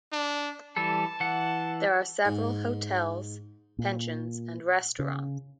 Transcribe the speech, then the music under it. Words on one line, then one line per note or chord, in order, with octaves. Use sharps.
There are several hotels, pensions and restaurants.
D4
E3 G3 A4 A5
E3 F#5
G#2
A#2
C#3